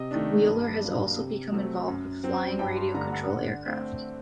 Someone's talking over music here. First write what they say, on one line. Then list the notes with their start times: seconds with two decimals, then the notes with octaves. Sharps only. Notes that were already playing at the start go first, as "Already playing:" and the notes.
Wheeler has also become involved with flying radio control aircraft.
Already playing: C3 D#5
0.11 D#3 A3 D4
0.46 G2
0.82 F#3 A#3 D4
1.17 C3
1.52 F#3 A3 C4
1.88 F#2
2.24 F#3 C4
2.59 G2 G5
2.77 C6
2.94 D3 A3 D4 A#5
3.12 F#5
3.30 D3 F#5
3.65 A3 C4